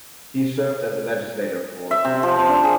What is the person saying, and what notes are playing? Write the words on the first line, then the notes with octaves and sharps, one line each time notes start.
He served as a legislator for three terms.
E5
C3
F3
A5
D4
G#4